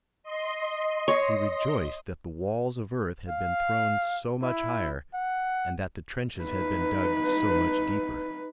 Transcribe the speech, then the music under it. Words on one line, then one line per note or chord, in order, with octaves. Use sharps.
He rejoiced that the walls of earth had been thrown so much higher and that the trenches had been dug so much deeper.
D#5 C6
C#5
F5
E4
F#5
D#4 B4